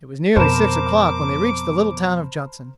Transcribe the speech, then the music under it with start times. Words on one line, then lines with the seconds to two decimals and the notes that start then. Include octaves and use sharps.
It was nearly six o'clock when they reached the little town of Judson.
0.36 F2 B2 A#4 C5 A5 B5 D6 E7